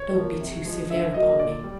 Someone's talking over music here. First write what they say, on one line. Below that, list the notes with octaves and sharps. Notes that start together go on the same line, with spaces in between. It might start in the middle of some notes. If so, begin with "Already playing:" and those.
Don't be too severe upon me.
Already playing: C#5
F3 A#3
C3
F3 G#3
D3 E5
F#3 A#3 D#5
A#2 D5
G3